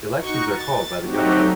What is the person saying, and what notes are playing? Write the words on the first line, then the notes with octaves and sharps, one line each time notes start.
Elections are called by the government.
D#4 F#4 C#6
A6
F#3 A3 C4 D#4 F#4 G4